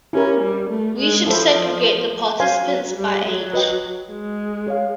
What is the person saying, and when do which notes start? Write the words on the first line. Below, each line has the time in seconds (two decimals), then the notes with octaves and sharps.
We should segregate the participants by age.
0.13 C#4 E4 G4 A#4
0.41 G3
0.70 A3
0.99 G#3
1.26 F3 E4 A4 C5
2.40 F#3 C5 F5 G#5 C6
2.69 F#3
2.97 G3
3.25 F#3
3.54 B4 D#5 G5
4.11 G#3
4.67 G#4 C#5 F5